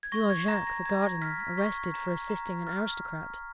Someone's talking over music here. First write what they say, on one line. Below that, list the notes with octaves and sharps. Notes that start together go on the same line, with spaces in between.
'You are Jacques, the gardener, arrested for assisting an aristocrat.
G#6
C#6 A#6
G#6
A#5 A#6
A#6
A#5 G#6
A#6
F6 B6
B6
C#6 B6
A#5
A#5
F6